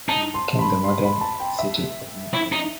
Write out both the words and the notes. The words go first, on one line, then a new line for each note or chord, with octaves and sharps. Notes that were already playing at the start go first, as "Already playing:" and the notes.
It became the modern city of New Haven.
D#4 A5
C6
B5
C6
B5
A5
G5
E5
E4
D#4